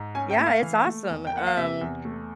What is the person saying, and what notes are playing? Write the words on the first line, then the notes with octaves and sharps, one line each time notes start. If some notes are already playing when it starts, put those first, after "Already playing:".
Yeah, it's awesome, um,
Already playing: G#2
C#4 G#5
G5
A3
F5
E3
A3
E2
G5
A#3 F#5
F5
C3 E5
E2
A3